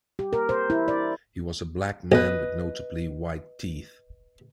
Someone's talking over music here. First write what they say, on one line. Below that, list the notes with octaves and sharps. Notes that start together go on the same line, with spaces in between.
He was a black man with notably white teeth.
G4
A#4
C5
E4
D5
B1 B4 D#5